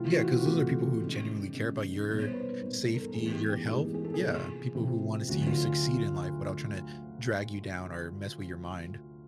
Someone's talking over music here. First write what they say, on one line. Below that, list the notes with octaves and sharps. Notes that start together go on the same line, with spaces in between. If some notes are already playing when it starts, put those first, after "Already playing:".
Yeah, 'cause those are people who genuinely care about your safety, your health. Yeah, people who wanna see you succeed in life without tryna drag you down or mess with your mind.
Already playing: C3 E3 A3 C4 E4 F4
F#4
F#4
C3 E3 A3 C4 E4 G4
C3 D#3 G#3 C#4
C3 D#3 G#3 C#4
B2 G3 A#3 D#4
C#5
C5
B4
B2 G3 A#3 D#4 A#4
A4
A#4
A4
A2 E3 G#3 B3 D#4 G#4
G4
G4
A2 E3 G#3 B3 D#4 G#4
G#4
A4
G#4
C3 F3 A#3
C3 F3 A#3
D2 D3 F#3 F#4
F4